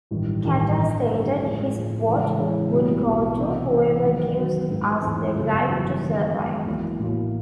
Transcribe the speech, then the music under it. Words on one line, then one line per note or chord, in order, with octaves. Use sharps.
Katter stated his vote would go to "whoever gives us the right to survive".
A1 G2 D#3 G3
A1 G2 D#3 G3
D3 G3 C4
D3 G3 C4
A2 F3 G#3
A2 F3 G#3
C#3 E3 G#3 C#4 E4
C#3 E3 G#3 C#4 E4
B1 B2 G3 B3 E4
B1 B2 G3 B3 E4
C3 E3 A3 C4
C3 E3 A3 C4
F#2 D#3 F#3
F#2 D#3 F#3
G#2 E3 A3 C4 F4
G#2 E3 A3 C4 F4
G1 F#2 C#3 E3 G3
G1 F#2 C#3 E3 G3
F#2 D#3 G#3 B3
F#2 D#3 G#3 B3
A1 A2 F#3 A#3
A1 A2 F#3 A#3